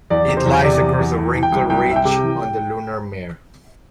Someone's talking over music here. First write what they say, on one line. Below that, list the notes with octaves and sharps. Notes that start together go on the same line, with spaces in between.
It lies across a wrinkle ridge on the lunar mare.
E2 D5
C3
C5
E2
C3 D5
E2
E2
E3
E3
G5
C2
C2 G5
C2 E5
G5
C3
E3